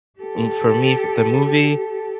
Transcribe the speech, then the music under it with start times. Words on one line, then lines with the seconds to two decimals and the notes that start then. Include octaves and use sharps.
m for me f the movie,
0.19 G4 A4